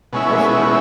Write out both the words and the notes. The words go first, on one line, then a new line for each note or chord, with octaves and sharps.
Oh, sure.
B2 G#3 C#4 E4